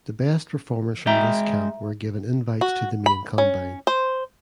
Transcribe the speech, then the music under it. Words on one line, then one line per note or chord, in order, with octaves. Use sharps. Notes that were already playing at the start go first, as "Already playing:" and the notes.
The best performers from this camp were given invites to the main combine.
G#3 E5 G5 A#5
F#4
B5
C#4
C5